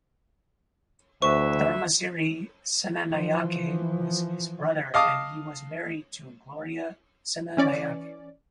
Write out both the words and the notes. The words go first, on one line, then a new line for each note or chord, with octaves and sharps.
Dharmasiri Senanayake was his brother and he was married to Gloria Senanayake.
D2 E3 B4 C5 E5 C#6
E3 F3
D#5 F5 A5 D6 D#6 F6
E3 C#4 D5